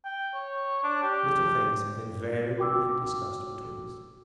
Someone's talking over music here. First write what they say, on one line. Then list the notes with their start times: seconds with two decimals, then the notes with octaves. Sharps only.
Little things have invariably been discussed between us.
0.05 G5
0.34 C#5
0.83 D4
1.03 G4
2.58 F#4 G5 D6 E6